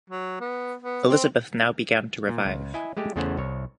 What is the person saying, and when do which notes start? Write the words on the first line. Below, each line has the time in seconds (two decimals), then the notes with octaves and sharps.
Elizabeth now began to revive.
0.10 F#3
0.40 B3
0.83 B3
1.09 C4
2.29 A#2
2.45 C#2
2.74 E4 D#5 G#5
2.97 G#3 A3 G4
3.16 E2 C#3 A3 C#4 C5 F#5
3.37 C2 C#5